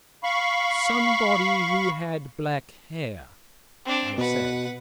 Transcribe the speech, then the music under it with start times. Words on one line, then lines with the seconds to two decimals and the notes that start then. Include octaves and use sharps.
"Somebody who had black hair," I said.
0.23 F5 B5 C#6
3.85 C4 D4
4.18 B2 B4 F#5